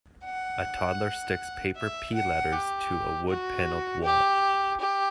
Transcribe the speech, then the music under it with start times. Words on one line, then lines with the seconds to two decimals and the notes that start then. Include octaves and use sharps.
A toddler sticks paper P letters to a wood paneled wall.
0.25 F#5
1.76 E5
2.14 F#5
2.52 G4
3.28 F#4
4.04 G4
4.80 G4